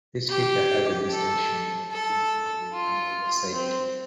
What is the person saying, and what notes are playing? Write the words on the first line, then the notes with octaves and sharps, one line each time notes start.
This feature had the distinction of a teen hero with an older sidekick.
G4
A4
A4
F4
C4